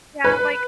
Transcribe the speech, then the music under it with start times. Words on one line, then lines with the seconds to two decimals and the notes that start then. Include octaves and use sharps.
Yeah, like,
0.24 B4